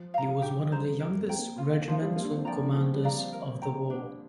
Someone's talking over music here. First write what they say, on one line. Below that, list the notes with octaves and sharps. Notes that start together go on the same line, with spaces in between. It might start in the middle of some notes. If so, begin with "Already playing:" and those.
He was one of the youngest regimental commanders of the war.
Already playing: F3
F5 A#5
D3 G4
F3
G3 C5 A#5
C4
A#4
C4
G5 A#5
A#3
F4
D3
F3 C5 F5
G3
A#3 F4
D4
C4
F3 D5 G5 A#5
D3
F3 G4
G3
D5 F5 A#5
C4
A#4
G5 A#5
D4